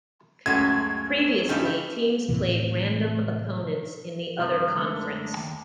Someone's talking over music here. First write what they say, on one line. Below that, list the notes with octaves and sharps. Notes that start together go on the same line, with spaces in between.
Previously, teams played random opponents in the other conference.
C#2 F#2 G#3 A3 F#4 G#6
G2 C#3 E3 D#4 G4 A4
A2 C3 E3
G2 C3 D#3 F3 G3
F#2 D3 G#3 A3
D#2